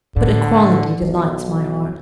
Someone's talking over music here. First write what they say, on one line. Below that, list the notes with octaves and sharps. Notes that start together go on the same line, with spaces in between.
But equality delights my heart.
A2 D3
B1 G#3